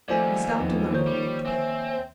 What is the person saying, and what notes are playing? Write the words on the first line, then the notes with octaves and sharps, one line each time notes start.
We stopped a moment and looked back.
D#2 F3 A3 C4 D5 G#5
E2 F3 C4 D#4 F4 A4
D#3 F3 A#3 C5 C#5 G6
G3
C4 E5 G#5